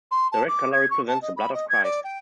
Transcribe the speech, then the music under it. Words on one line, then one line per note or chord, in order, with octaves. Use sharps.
The red colour represents the blood of Christ.
C6
A5
D6
G#6
C#6
A5
D#5
B5
D#5
G#6
D5
G5